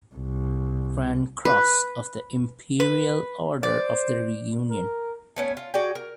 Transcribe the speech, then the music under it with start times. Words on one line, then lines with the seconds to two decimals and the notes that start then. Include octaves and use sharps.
Grand Cross of the Imperial Order of the Reunion.
0.15 C2
1.45 B4
2.80 B4
3.63 C5 D5
4.70 A#4
5.36 A3 B3 C#4
5.57 F4
5.74 F#4 G#4 D5 G5
5.95 A#4